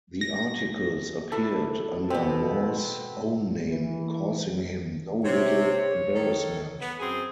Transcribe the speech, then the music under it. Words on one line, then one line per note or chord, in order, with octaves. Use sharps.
The articles appeared under Moore's own name, causing him no little embarrassment.
A#6
D4 E4 A4
B2 B3 C4
E3
C3 C#5
D#3 A4
B3
F#2 C4 G#4